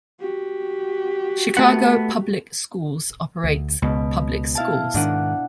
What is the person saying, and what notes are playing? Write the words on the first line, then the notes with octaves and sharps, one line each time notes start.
Chicago Public Schools operates public schools.
F#4 G4
A3 B3 F#5
D2
C#2 B2
E4 F5 A5
G#2 D#3 D4 F#5